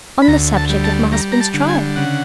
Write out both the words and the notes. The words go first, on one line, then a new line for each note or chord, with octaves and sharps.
"On the subject of my husband's Trial."
B5
D2 A#5
A5
G3
A5
G3 A#5
A#5
A5
D3
G#5
C#3 F#5